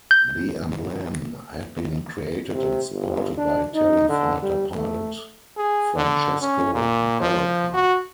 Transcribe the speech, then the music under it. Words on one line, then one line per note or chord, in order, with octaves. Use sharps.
The emblem had been created and sported by Italian fighter pilot Francesco Baracca.
G6
C3
G1
D4
D#4
D3
G3
A3
G#4
D3
C#4
A#2
F3
F#4